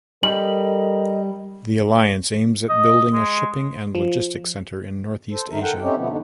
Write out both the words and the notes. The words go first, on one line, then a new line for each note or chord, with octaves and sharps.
The alliance aims at building a shipping and logistics center in Northeast Asia.
G3 A4 A#4 D#5 F#7
D#5
G#3
F3
A4 C5
D3 D#3 A3 D#4 A#4
A4 A#4 F#5 G5
A3 C4 C#4 D#4 G4
B2 D3 F3 A3 B3
F#2 D3 F3 B3 D4 D#4